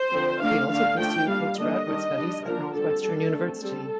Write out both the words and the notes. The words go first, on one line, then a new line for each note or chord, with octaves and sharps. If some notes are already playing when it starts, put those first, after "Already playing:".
He also pursued postgraduate studies at Northwestern University.
Already playing: C5
D3 F3 C4
D3 A3 D4 F5
D3 A3 D4 F5
F3 A3 D4 G5
G3 A#3 D4 F5
D3 G3 A#3 D4 D#5
D#3 G3 D4
G3 D4
F3 A#3 D4 A#4
D3 G3 C4 A4
G3 D4 A4
D3 A3 C4
G3 C4 A4